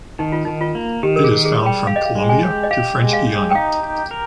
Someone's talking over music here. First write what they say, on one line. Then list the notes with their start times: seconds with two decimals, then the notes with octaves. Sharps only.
It is found from Colombia to French Guyana.
0.19 D#3 D#4
0.32 F4
0.45 D#3 D#4
0.61 F4
0.75 A#3
1.03 D#3 G4
1.16 A#4
1.24 G#4
1.31 D#3
1.45 G#4
1.59 G3
1.66 G5
1.87 G4 F5
1.96 D#5
2.05 F5
2.15 G#3
2.29 G#5
2.43 G4
2.63 D#5
2.71 G4 F5
2.99 G#3
3.13 F5
3.27 G4
3.51 G5
3.55 D#4 F5
3.83 G4
4.11 A#4